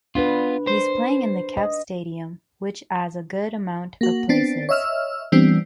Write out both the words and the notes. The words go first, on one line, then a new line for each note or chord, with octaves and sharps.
He’s playing in the Kef stadium which as a good amount of places.
B3 D4 F4 B4
C5
D#5
A#3 F#4
B3 C4 D4 A6
C#5 D#5 E5 E6 F6
E3 G3 B3 C4 D4